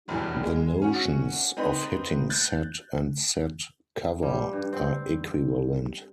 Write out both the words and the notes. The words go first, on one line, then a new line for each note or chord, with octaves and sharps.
The notions of hitting set and set cover are equivalent.
F1 B1 E2 G2 E3
G#3
C#4 F#4
C4 D#4 B4 C5 B5
F#6 G6 A6
G3
G2
C4